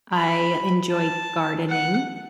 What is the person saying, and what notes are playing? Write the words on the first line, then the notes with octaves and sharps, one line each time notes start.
I enjoy gardening,
B5
A5
F#5